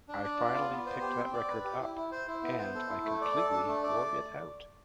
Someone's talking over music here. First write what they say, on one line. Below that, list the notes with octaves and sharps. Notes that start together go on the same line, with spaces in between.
I finally picked that record up, and I completely wore it out.
D4
D5
F4
B3
B3
C5
G4
C4
D5
B4
G4
E4
E4
C5
E4
B3
C5
A4
E4
A3
D5
A4
D4
A3
D5